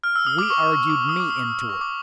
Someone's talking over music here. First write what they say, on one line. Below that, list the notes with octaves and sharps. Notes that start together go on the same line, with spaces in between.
We argued me into it.
F6
E6
D#6
D6
C#6
D6
D#6
D6
D#6
C#6
D6